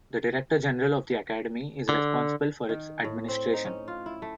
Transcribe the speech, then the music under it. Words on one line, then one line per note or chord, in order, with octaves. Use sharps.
The Director General of the academy is responsible for its administration.
D3
D#3
A2
C4
D#4
C#4
F4
E4
A3